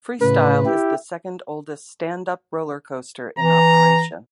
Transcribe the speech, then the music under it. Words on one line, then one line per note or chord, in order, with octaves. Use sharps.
Freestyle is the second oldest stand-up roller coaster in operation.
A2 C#3 B4
E4 G4
E3 A#5